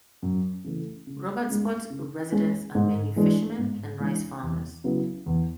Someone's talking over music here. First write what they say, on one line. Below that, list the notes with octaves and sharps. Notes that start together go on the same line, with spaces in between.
Robertsport residents are mainly fishermen and rice farmers.
F#2
C#3 E3 A3
C#3
G#3 C#4
C#3
G#3 C#4
G#2
E3 G#3 D4
G#2
E3 G#3 D4
E2
C#3 F#3 B3 E4
E2